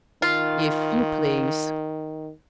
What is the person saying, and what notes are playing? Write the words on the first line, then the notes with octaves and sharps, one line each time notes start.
"If you please."
D#3 F4